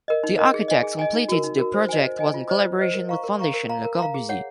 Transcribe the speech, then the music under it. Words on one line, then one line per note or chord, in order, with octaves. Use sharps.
The architects completed the project was in collaboration with Fondation Le Corbusier.
A#4 D#5
D#4
A#4 D#5
G#4
D#5 G#5
G#4
D#5 G#5
D#4
F#4 A#4
D#4
F#4 A#4
C5
D#5 G#5
C5
D#5 G#5
F4
C5 D#5
F4
C5 D#5
A#4
F5 A#5 C#6
A#4
F5 A#5 C#6
A#4
F5 A#5
A#4
F5 A#5
G#4
C#5 F#5